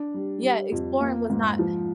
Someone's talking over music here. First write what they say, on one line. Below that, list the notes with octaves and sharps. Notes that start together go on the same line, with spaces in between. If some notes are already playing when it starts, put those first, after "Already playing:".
Yeah, exploring was not
Already playing: D4
G3
G3
F2
A#3
G#2
F3